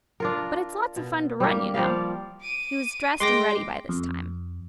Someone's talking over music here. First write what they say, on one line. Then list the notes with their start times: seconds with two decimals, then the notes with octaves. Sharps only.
"But it's lots of fun to run, you know." He was dressed and ready by this time.
0.20 D4 F4 A#4
0.96 B2
1.40 G3 A#3
1.74 F3 G3 D5 F5
2.41 D6 D#7
3.20 G#3 G5 C6 D6 A#6
3.89 F2